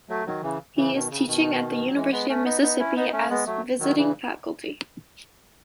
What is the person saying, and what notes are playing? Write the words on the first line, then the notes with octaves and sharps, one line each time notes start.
He is teaching at the University of Mississippi as visiting faculty.
F#3 A3
D#3 F#3
C#3 E3
C#3 E3
B2 D#3
C#3
B2 D#3
F#3
E3 G#3
G#3 B3
A3 C#4
B3 D#4
B3 D#4
C#4 E4
B3 D#4
A3 C#4
G#3 B3
F#3 A3
D#3 F#3
C#3 E3